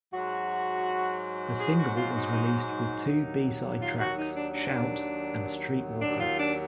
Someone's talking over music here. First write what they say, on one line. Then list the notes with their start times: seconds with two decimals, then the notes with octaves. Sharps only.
The single was released with two B-side tracks, "Shout" and "Streetwalker".
0.12 G#2 F#3 F#4
1.60 G#4
1.78 F#4
1.97 F4
2.15 D#4
2.33 D#4
2.71 D#4
3.07 D#2 D#3 F#3
3.81 F4
3.99 F#4
4.17 D#4
4.36 D4
4.54 D4
6.02 D#2 D#3 F#3 D4
6.20 F4
6.39 D4